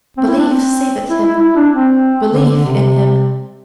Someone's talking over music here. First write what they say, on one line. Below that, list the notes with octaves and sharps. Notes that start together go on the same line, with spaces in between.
Belief saveth him; belief in him.
C4
E4
D4
C4
E4
E4
E4
D4
C4
D3
D3
C3